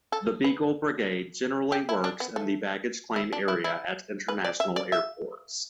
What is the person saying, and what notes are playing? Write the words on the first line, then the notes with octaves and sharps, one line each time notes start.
The Beagle Brigade generally works in the baggage-claim area at international airports.
A4
B4
G4
E4
D4
B3
A3
E4
D4
E4
E4
B4
D5
E5
D5
E5